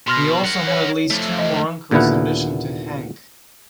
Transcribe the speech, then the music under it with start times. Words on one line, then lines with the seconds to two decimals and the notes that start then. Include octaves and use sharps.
He also had at least two more uncles in addition to Hank.
0.08 B2 C6 F6 A#6
0.45 A#4 F#5
0.67 C#5
1.10 F3 A3
1.39 D#5
1.91 D#2 A#2 D3 B3 E4 F#5